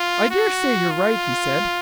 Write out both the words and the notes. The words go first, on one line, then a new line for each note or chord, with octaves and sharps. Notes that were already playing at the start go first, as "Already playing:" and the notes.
"I daresay you're right," he said.
Already playing: F4
F#4
F4